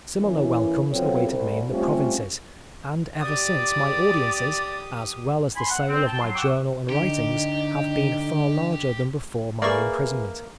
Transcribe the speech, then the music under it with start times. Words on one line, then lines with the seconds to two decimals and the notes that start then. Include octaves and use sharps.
Similar welcomes awaited me in the provinces; and ever since my audiences, as well as the sale of my journal and writings, have been far larger than before my imprisonment.
0.18 E3 A#3 C#4 E4
0.91 F#3 B3 C4 F4 A4 C#5
1.26 C2
1.70 G3 A3 C4 C#4 F4 G4
3.20 G4 D5 D#6
5.56 G#5 B5 C6
5.69 F#5
5.88 C4
6.06 G5 A5
6.22 F#3 C6
6.35 F#5 G5 C#6 D6 E6
6.89 D3 D#4 G4
9.62 A#3 G#4 B4 D5 E5 C#6